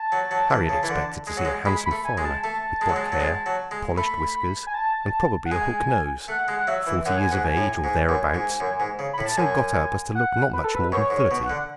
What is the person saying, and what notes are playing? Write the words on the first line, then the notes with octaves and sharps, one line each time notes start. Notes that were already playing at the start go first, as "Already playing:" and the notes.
Harry had expected to see a handsome foreigner, with black hair, polished whiskers, and probably a hook nose--forty years of age or thereabouts, but so got up as to look not much more than thirty.
Already playing: A5
F#3
F#3
E3
C#3
E3
D3
G#3
F#3
G#3
G#3 B5
B5
A3
G#5
G#3
A5
A3 A5
G#3
F#3
G#3
F#3
G#3
F#3
G#3
A3 B5
G#5
A5
F#5
G#3 G#5
A3 F#5
G#3
F#5
F#3 E5
E3
F#2 F#5
G#5
G#2 F#5
G#5
A2
G#2
F#2
G#2
F#2
G#2
C#3
A2 B5
A5
F#2 G#5
F#5
B4
A4
B4
F#2 C#5
G#2
C#5
B2
F#5
D3